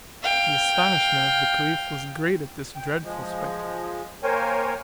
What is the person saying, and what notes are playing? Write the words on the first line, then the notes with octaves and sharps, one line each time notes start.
The astonishment of the caliph was great at this dreadful spectacle.
F5 G5
G5
F3 G#3
A#3 A#4 C5 C#5 G5 G#5